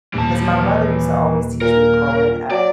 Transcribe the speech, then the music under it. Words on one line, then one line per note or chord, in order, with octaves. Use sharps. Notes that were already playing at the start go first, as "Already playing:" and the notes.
'Cause my mother used to always teach me growing up,
D#1 E3 A5
A#2 A#4
F#3 D5